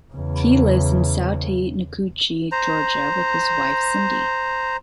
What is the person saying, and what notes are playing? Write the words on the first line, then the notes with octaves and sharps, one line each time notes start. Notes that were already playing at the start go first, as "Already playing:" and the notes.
He lives in Sautee Nacoochee, Georgia with his wife Cindy.
E2 C#3
C5 A#5